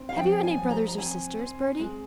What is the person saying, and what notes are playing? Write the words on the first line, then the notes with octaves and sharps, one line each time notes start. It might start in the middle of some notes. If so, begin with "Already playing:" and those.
"Have you any brothers or sisters, Bertie?"
Already playing: C4
F5
F3 G5
G#5
F3
A#5
A#5
C4 G#5
C4
G#3